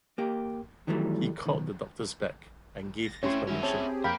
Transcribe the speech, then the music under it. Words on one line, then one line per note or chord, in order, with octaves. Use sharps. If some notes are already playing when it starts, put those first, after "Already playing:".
He called the doctors back and gave his permission.
A#3 G4
D#3 E3 F#3 G3 A3
B1 D#3
A6 A#6
A3 C4 C#4 E4 C#5 C6
D#3 G#3 C#4 E4 F#4
C4 G4 G#4 C#5 A5
F2 A#3 A#4 F5 G5 B5